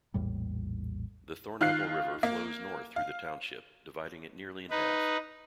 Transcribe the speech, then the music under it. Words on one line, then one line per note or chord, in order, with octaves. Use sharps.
The Thornapple River flows north through the township, dividing it nearly in half.
A#1 E2 A2 G3
D#3 F4 F6 F#6 C7
A#3
F5
D#4 B4